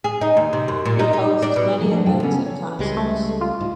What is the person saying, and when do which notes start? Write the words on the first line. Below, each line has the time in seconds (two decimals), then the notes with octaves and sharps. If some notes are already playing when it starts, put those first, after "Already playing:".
It hosts many events and concerts.
0.04 G#4
0.21 D#4
0.37 D#2
0.53 C3
0.68 F#2
0.85 A#2
0.99 D#4
1.13 D#4
1.42 D4
1.56 B2
1.79 E3 F#3 G#3 A#3
1.90 F3 F#3 A3 D4 F#4
2.06 A2 C3 G3 D4 A4 G5
2.23 C#3 A#3 B3 C#4 A4
2.46 C#5
2.79 C#2 G3 G#3
2.97 A3
3.41 F4
3.61 G#2